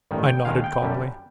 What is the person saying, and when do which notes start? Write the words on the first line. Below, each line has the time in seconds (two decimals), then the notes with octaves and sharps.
I nodded calmly.
0.11 A1 G2 D#3
0.27 G5
0.45 D#2 D#3 G#3 F5
0.64 G5
0.81 F#2 D3 G3